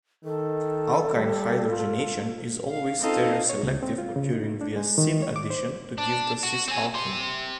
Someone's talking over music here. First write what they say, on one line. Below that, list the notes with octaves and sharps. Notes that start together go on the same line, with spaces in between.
Alkyne hydrogenation is always stereoselective, occurring via syn addition to give the cis-alkene.
D#3 A4
G3
F4
F5
C4 D#4 F4 A4 D#5 F5
C#5
C#2
C4
F4
C#3
D#4
D4
G#3
D#3
C#5
D6
C5
D4
F#4
C4 G#5
G4 C6